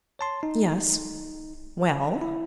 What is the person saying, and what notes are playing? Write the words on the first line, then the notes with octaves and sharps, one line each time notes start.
"Yes." "Well?"
C#5 A5 C6
D#4
E4